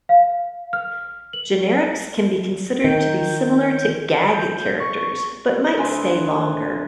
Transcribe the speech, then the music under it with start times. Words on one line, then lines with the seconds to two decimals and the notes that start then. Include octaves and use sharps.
Generics can be considered to be similar to gag characters, but might stay longer.
0.09 F5
0.73 F6
1.33 F#7
2.84 D#3 G6
4.33 G6
4.80 C#6
5.77 D3 A3 B4 C5 G#5